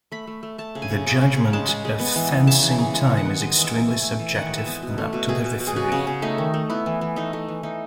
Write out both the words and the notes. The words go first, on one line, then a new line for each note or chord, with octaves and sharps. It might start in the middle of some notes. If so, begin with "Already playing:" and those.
The judgement of "fencing time" is extremely subjective and up to the referee.
A3 B5
A3
A3
A3 A5
C#3
G#5
C#3
C#3
C#3
C#3
G#3 A5
G#3
G#3
B3
E3
E3
C#3 A5
E3
C#3
G#3
D#3
F#5
B3
G#3 D#5
E3
E5
E3
A3 G#5
A3
E3
D#3 F#5
G#3
E5
B3
B2
A3
B2
B2 G#4
B2
B2
G#4
C#3 F#4
C#3
C#3
A3 D#4
D#3
A3
B3 E4
E3
E3
A3 D#4
A3
E3
E3 D#4